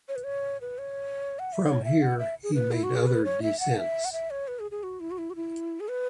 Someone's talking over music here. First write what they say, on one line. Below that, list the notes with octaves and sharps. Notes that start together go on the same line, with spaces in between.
From here, he made other descents.
C#5
B4
C#5
B4
C#5
F#5
E5
C#5
E5
F#5
E5
G#4
B4
E4
F#4
G#4
B4
C#5
E5
F#5
E5
F#5
E5
C#5
B4
G#4
G#4
F#4
E4
F#4
E4
F#4
E4
G#4
B4